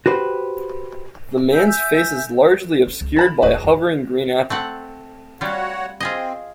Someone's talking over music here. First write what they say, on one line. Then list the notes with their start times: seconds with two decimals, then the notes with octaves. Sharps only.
The man's face is largely obscured by a hovering green apple.
0.06 F#4 G4 B4 C5
1.53 E5 G#5 E6 G6
2.87 C#4
3.01 C#2
3.16 D#3 E4 A5 B5
3.42 D1 F2 F#4 G#4 B4
3.62 A#1 F2
4.50 A3 C4 F#5
5.41 G3 F4 F#4 C#5 F#5
6.00 C4 F4 G#4 D#5